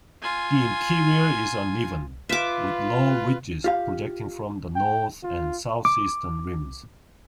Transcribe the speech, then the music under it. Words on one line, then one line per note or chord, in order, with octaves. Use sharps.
The interior is uneven, with low ridges projecting from the north and southeastern rims.
F4 G#5
F4 B4 E5 D6
F4 G4 F5
G5
F4
D6